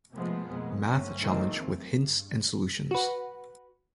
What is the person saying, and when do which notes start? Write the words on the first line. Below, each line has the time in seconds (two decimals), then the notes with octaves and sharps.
Math Challenge with Hints and Solutions.
0.14 C3 F3 G#3 A3 B3
0.46 F1 F2 B2 G#3 A#3 B3
0.87 G1 F#2 A3 C4 C#4
1.22 G#1 D#3 E3 A3 A#3 C4
1.64 F#2
1.98 G2
2.91 F#4 B4